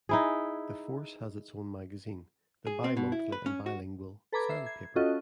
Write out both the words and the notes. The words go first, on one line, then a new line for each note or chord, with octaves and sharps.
The Force has its own magazine, the bimonthly and bilingual "Sandpaper".
D#4 E4 G#4
G#4
C4
B2
E4
B4
C#4
F#4
A4 B4 A#5 B5 D6 G#6
E5 C7
G#6
C#4 F4 F#4 A4 D#5